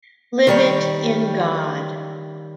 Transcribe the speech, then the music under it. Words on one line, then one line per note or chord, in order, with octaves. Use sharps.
Live it in God.
D#3 G3 C#5